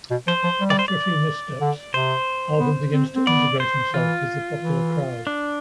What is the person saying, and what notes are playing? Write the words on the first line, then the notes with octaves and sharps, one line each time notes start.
After a few missteps, Alvin begins to integrate himself with the popular crowd.
B2
F3 C5
F3
G3
D5
C5
D5
D3
C3 C5
B3
C4
C4
B3 D5
C5
E3 F4
E3
D4